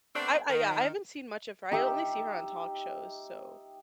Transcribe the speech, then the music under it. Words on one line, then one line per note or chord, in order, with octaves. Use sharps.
I I yeah, I haven't seen much of her, I only see her on talk shows, so,
A3 B3 C4 D4
D#3
D#4 G4 E5